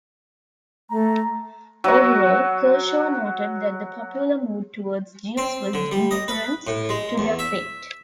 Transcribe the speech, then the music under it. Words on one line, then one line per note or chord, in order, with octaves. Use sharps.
Overall, Kershaw noted that the popular mood towards Jews was indifference to their fate.
A3 A#5
F#3 F#4
C4
D3
G3
D#5
B4
A2
G#3
E2
E5